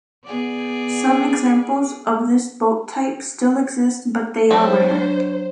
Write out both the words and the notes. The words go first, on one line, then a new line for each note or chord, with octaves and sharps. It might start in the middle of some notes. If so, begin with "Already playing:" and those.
Some examples of this boat type still exist but they are rare.
B3 G#4 D5
F#3 G3 C4 C5
D4